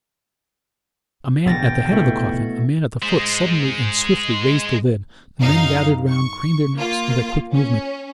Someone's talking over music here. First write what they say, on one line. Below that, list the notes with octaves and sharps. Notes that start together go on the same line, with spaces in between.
A man at the head of the coffin, a man at the foot suddenly and swiftly raised the lid: the men gathered round craned their necks with a quick movement.
F1 A#1 D3 B3 G5 A6 A#6
B2 A3 E4
G#3 C5
F#2 D#4 F5
C#6
A#3 F4
C#4